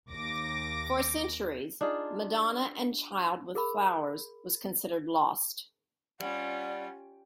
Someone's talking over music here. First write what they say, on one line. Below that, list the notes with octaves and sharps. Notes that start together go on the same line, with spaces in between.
For centuries, "Madonna and Child with Flowers" was considered lost.
D#2 D6 A#6
D4 D#4 F4 G#4
G#4 A#4 B5
G3 C#4 F4 D5 F#5